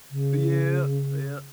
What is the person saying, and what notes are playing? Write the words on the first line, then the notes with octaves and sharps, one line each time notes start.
Oh yeah, yeah,
C#3